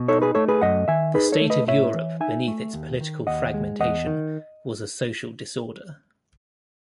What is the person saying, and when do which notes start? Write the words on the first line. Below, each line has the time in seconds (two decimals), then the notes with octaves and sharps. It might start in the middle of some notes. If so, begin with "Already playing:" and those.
The state of Europe beneath its political fragmentation was a social disorder.
Already playing: B2
0.08 D#4 A4 C#5
0.22 G#4 B4
0.35 A3 A4 C#5
0.48 G#4 B4
0.61 F#2 D#5 F#5
0.88 D#3 E5 G#5
1.14 D#4 G#4 B4
1.32 A4 C#5
1.41 A3
1.50 B4 D#5
1.68 A2 C#5 E5
1.94 E3
2.20 D#4 E5 G#5
2.48 A3
2.74 D#2
3.01 D#3
3.27 D#2 D#5 F#5
3.54 G#3
3.79 E2 D#5 F#5
4.07 D#3